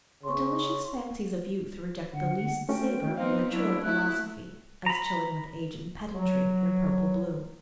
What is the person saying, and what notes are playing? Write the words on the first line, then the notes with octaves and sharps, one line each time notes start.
The delicious fancies of youth reject the least savor of a mature philosophy, as chilling with age and pedantry their purple bloom.
C#3 C6 C#6
D3 F#5
A3 C#4 F#4 G5
B3 C4 D#4 C5 F5
F#3 D4 E4
A3 E4 F#6
A#5 B5
F#3